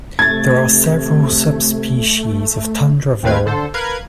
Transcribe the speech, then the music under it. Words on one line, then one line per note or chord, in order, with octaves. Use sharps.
There are several subspecies of tundra vole.
C3 A3 G#6 A6
D#2 A3 C4 B4 F5 G#6
D3 A4 C5
A#4 B4 F5 F#6 G#6